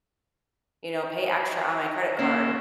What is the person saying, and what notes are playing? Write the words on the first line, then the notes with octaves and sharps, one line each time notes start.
you know, pay extra on my credit card
A#3 C#4 E4 C#5 F5